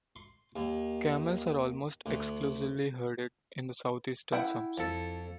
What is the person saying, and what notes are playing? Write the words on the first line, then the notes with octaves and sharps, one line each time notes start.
Camels are almost exclusively herded in the southeastern sums.
C6
D#2
D2
E4 F#5 G5
F2 A4